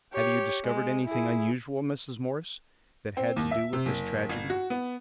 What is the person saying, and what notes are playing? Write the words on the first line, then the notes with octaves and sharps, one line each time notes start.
"Have you discovered anything unusual, Mrs. Morse, that had to do with this tragedy?"
G4 C#5
G#3
E4 G#4
C4
D#2
E5
C3
F#1
G1
F#4
B3